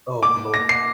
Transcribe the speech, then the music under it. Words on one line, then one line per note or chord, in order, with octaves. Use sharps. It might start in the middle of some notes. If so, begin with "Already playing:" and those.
Oh, hello.
D6
A#6
C7